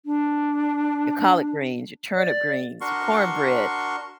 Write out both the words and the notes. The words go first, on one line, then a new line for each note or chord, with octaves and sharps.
your collard greens, your turnip greens, your cornbread,
D4
D5
D4 F#4 A#4 C6 C#6